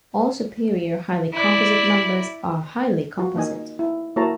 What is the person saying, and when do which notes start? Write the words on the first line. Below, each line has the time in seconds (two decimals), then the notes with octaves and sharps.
All superior highly composite numbers are highly composite.
1.33 E4 D5
3.18 F4 F#4
3.36 A#3 D#4 D#5 G#5
3.79 E4
4.16 A#3 E4 F#4 C#5 A5 A#5